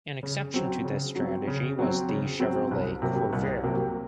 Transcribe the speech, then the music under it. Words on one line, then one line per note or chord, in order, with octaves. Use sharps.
An exception to this strategy was the Chevrolet Corvair.
C#3
F#3 C4
C#3
F#3 C4
C#3
F#3 C4
C#3
F#3 C4
C2
C3 F#3 A#3
C2
C3 F#3 A#3